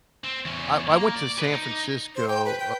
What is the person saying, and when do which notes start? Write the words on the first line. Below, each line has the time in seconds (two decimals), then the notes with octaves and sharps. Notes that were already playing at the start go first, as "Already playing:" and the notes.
I I went to San Francisco,
0.24 C4
0.45 E2 C#4
0.90 A#3
1.15 D5
1.39 B4 D#5
1.52 D#4
2.16 C5
2.28 G5
2.45 B4
2.60 G5